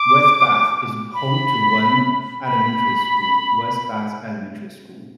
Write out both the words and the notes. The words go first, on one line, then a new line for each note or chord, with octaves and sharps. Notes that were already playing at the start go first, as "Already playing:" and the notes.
West Bath is home to one elementary school, West Bath Elementary School.
Already playing: D6
B5
B5